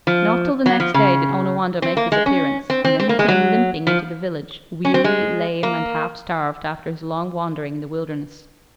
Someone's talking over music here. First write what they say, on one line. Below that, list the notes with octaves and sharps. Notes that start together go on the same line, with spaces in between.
Not till the next day did Onawandah make his appearance, and then he came limping into the village, weary, lame, and half starved, after his long wandering in the wilderness.
F3
F#3
F3
C#3
C4
A#3
G#3
C#4
C4
C4
C4
A#3
G#3
F#3
F3
C#4
C4
G#3
A#3